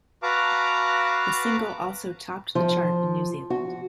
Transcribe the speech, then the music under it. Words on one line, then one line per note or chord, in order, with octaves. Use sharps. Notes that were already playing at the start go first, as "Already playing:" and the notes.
The single also topped the chart in New Zealand.
F#4 B4 F5 A5 A#5 D6
F3
F#4